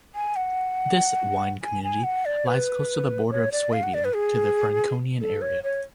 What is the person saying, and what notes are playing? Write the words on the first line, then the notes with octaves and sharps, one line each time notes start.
This "wine community" lies close to the border of Swabian to the Franconian area.
G#5
F#5
G#5
G#5
F#5
D5
B4
C#5
D5
F5
F#5
D5
B4
G#4
A4
C#5
C#5